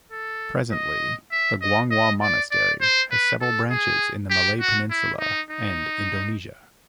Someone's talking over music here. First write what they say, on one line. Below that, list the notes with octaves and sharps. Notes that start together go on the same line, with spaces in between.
Presently, the Guanghua Monastery has seven branches in the Malay Peninsula and Indonesia.
A4
D#5
E5
D#5
D#5
D5
D5
C5
B4
A4
G#4
G4
F#4
E4
D#4
D#4